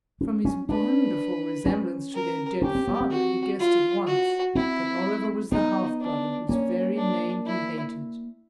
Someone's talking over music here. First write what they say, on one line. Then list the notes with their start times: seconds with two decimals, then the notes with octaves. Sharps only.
From his wonderful resemblance to their dead father, he guessed at once that Oliver was the half-brother whose very name he hated.
0.21 C#4
0.45 C#4
0.69 D4 B4
1.66 C#4
2.14 A#4
2.62 C#4 G4
2.75 C4
2.88 B3
3.01 C4
3.11 F#4
3.59 F4
4.07 F#4
4.55 C4 E4
5.51 B3 D#4
6.00 D4
6.48 A#3 C#4
6.97 D4
7.45 E4